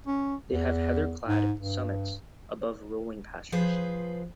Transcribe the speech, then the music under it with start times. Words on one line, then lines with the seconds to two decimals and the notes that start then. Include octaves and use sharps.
They have heather-clad summits above rolling pastures.
0.07 C#4
0.52 E2
1.27 G#2
1.60 G2
3.52 F3 G#4 B4 C5